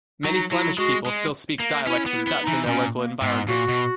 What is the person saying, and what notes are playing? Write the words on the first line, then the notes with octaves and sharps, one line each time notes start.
Many Flemish people still speak dialects of Dutch in their local environment.
F#3 D#4
F#3 E4
G#3 F#4
G#3
A#3
C#4 E4
B3
E4
B3
D#4
E3
A#2 C#4
A#3
G#2 B3
A#2 F#4
B2